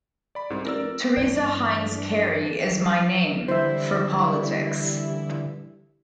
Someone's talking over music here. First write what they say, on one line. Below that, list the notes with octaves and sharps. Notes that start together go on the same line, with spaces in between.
Teresa Heinz Kerry is my name... for politics.
D5 B5
C2 G#2
A1 A#4 D5 E6
F1
G2 E3 D4 D5
D3 E3 G3 E4 C5 E5